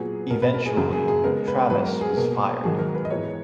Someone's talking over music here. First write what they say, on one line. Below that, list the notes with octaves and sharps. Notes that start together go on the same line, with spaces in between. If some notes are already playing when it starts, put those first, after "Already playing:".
Eventually, Travis was fired.
Already playing: A#2 F#3 B3 G#4
B2 A#3 A#4
B4
A#4
G#4
F#2 C#3 F#3 A#3
G#4
G#4
C#3 G#3 B3 A#4
B4
G#2 F#3 B3 B4
A#4
G#4
B2 A#3 A#4
G#2 D#3 F#3 A#3 G#4
A#4
B4
D#5
G#2 E3 G#3 B3 C#5